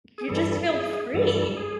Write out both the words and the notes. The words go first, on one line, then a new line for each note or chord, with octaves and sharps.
You just feel free.
G#4
G2 E3 G3 A4
G#4
G2 E3 G3 A4
G#4